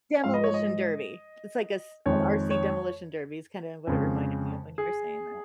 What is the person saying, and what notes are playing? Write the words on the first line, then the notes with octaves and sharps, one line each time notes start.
Demolition derby! It's like s an RC demolition derby is kinda what it reminded me of when you were saying that.
G#2 F3 G#3 F5
D#5
C#5
D#5
F2 D#3 G#3 C#5
C#5
F2 C#3 G#3
G#4